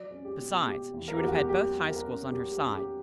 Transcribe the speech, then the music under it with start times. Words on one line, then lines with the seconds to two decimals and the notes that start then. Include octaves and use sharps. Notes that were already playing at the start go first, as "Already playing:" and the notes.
Besides, she would have had both High Schools on her side.
Already playing: F#3 D5
0.10 C#4
0.25 G4
0.39 B2
0.66 B2 G4
0.94 E2
1.08 A#4
1.16 G4
1.22 E2 F#4
1.32 G4
1.48 F#3 G4
1.77 F#3
1.90 A#4
2.03 C#4
2.31 F#3 G4
2.52 G4
2.59 C#4
2.73 G4